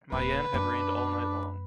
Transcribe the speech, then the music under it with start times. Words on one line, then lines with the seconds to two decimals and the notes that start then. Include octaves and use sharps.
Mayenne had rained all night long.
0.12 D#1 C#4 B4
0.54 F#2 A3 D4